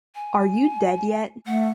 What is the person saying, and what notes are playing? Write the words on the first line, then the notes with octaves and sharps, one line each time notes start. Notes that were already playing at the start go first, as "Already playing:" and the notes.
Are You Dead Yet?
G#5
A3 F#5